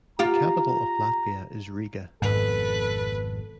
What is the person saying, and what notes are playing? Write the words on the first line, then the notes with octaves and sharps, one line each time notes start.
The capital of Latvia is Riga.
F4 G4 A#5
G#1 F2 G#2 B2 A4 B4